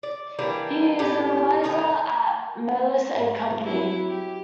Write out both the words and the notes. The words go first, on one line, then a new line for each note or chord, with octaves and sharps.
He is an advisor at Moelis and Company.
D5
E3 G3 A#3 D4
A2 G4
A2 D#3 D#4
G#2
F#3 C4 E4
G4